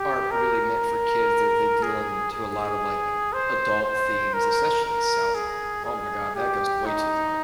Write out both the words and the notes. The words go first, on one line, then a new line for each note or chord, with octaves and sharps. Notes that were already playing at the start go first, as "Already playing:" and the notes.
aren't really meant for kids. They're they're dealing to a lot of, like, adult themes, especially South Park. Oh, my God, that goes way too far.
Already playing: G4
A#4
G#4
G#4
C5
C5
A#4
A#4
G#4
G#4
G4
D#4